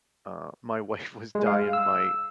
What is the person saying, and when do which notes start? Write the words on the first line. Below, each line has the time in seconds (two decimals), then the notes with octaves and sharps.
uh, my wife was dyeing my
1.35 G#3
1.47 F5
1.73 E6